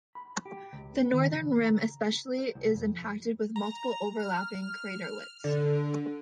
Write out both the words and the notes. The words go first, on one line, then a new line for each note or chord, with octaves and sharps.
The northern rim especially is impacted with multiple overlapping craterlets.
B5
G4
C#2
D#3
C#3
A#5
C5
C2
F2
A#5
F6
D3